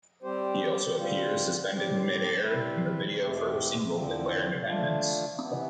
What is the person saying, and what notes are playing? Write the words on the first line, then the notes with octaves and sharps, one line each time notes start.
He also appears, suspended in mid-air, in the video for her single Declare Independence.
G3 C4 G4 C5
D3 G3 C4 F4 C5
A2 G3 C4 G4
G3 C4 E4 B4 E5
E2 B2 A3 C4 G4
E2 D3 F3 C4
F3 A3 D4 F4
C3 E3 B3